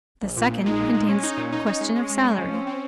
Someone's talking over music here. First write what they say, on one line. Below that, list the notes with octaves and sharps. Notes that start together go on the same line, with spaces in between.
The second contains the question of salary.
A#1
A#2
A#1
G#3 D#4
A#2
G#3
G#3 C#4
D#4
A#2
D#4
D#4
G#3
G#3
G#3
G#3
F3 C#4
C4
C4